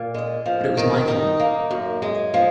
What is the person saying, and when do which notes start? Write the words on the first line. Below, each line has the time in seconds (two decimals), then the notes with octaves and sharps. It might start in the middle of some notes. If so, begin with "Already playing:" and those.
But it was my fault.
Already playing: A#2
0.14 G#3
0.46 F3
0.77 D#3
1.08 D#4
1.40 A#3
1.71 F#2
2.02 G#3
2.34 F3